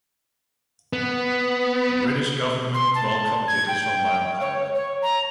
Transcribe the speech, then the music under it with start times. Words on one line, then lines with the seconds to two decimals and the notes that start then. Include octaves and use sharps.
The British government welcomed the additional manpower.
0.93 B3
2.74 C6
2.95 A5
3.48 G#6
3.68 G5
4.41 C#5
4.74 C#5
5.02 A#5